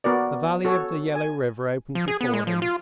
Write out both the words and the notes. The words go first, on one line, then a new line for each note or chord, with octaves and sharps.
The valley of the Yellow River opened before him.
B3 F#4 A#4 D5
F#4 A4 C#5
G#5
F3
G#4
B3
G#3
F3
F4